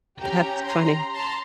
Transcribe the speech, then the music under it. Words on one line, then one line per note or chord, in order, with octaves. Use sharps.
That's funny.
C#4 G4 G5 A#5
A#5 C6
A5 A#5 C6